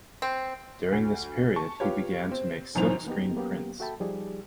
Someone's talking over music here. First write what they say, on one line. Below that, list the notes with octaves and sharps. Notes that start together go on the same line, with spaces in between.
During this period he began to make silkscreen prints.
C4
D2
A5 C#6
F4 G4 B4 C#5
C4
G#1 F#2 D#3 E3 C4 F7
A#3 B3 D#4 G4
F#3 A#3 B3 C#4 G4
F#4 A4 E5 G5 A5 B5
F3 G3 D#4 G4 G#4 D5